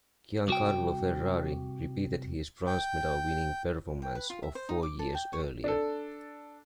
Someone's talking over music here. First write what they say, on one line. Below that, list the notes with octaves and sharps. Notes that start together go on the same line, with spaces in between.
Giancarlo Ferrari repeated his bronze medal-winning performance of four years earlier.
C2 F#4 G5
G5
G5
B4
F4
E5
C5
D#4
D6
A4
G5
C#5
D4 A4